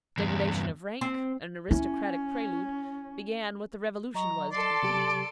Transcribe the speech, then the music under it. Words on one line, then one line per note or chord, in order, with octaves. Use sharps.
Degradation of rank, an aristocratic prelude, began what the revolution was to complete.
E2 G2
C4
C#4 E4
F#3 D#5 A#5 C#6
A4 D5 C6 C7
C3 F#3 G4 D7